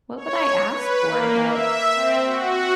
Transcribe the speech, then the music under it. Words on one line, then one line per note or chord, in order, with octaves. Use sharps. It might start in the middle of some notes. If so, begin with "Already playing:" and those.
what would I ask for that
C#5
B4
A#3
E5
C4
F#4